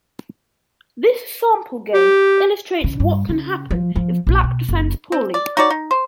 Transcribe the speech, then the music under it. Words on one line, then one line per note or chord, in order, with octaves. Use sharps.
This sample game illustrates what can happen if Black defends poorly.
G4
C#3
G2
C#3
F3
F3
A#1
B2
F#1
C4
D5
D#4 F#4 C#5 D5
D#4
C5